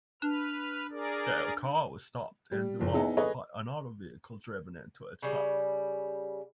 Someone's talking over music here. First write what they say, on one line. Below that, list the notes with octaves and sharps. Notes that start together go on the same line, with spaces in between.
Their car was stopped in the Mall by another vehicle driven into its path.
D4 B4 F6
G#4 A#4 D5
G3
F#1 F3
B3 D#4 E4 G#4
G#4 A4 B4 C#5 D#5
C#3 G3